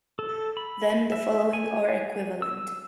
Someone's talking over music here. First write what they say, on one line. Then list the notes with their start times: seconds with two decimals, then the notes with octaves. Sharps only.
Then the following are equivalent.
0.19 A4
0.57 B5
1.12 E5
1.53 G#5
2.42 E6